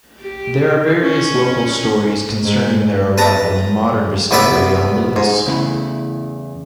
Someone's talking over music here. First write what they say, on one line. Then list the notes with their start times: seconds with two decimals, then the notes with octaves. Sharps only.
There are various local stories concerning their arrival and modern discovery on Lewis.
0.20 G4
1.01 C#4
2.42 G#2
3.18 B4 A5 A#5
4.31 C2 B3 B4 D5 E5 B5
5.16 G#2
5.46 E2 C#3 A3 E4 B5